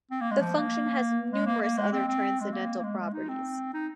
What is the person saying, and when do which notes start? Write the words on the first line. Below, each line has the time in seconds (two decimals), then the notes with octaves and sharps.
The function has numerous other transcendental properties.
0.11 C4
0.21 A#3
0.31 G#3
0.40 F3
0.57 A#3
1.32 G#3
1.46 A#3
1.63 A#3
1.78 G#3
1.92 C4
2.08 C4
2.41 G#3
2.52 A#3
2.78 A#3
2.84 G#3
2.99 G#3
3.13 D#4
3.29 C4
3.74 D#4